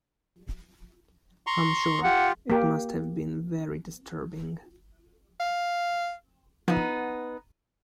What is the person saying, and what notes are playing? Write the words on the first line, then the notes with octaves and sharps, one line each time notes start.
I’m sure it must have been very disturbing.
A#5 C6 C#6
F4 G4 F#5
A#3 G4
F5
F3 B3 D#4